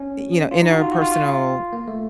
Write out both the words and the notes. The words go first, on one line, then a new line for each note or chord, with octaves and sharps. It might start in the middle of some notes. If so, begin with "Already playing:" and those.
you know, interpersonal
Already playing: C#4
F4
D#4
F#4
F4
F#4
F4
F4
A#3
A3